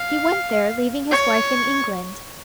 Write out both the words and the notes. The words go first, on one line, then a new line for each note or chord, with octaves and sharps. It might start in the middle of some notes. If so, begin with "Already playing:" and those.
He went there, leaving his wife in England.
Already playing: F5
C#5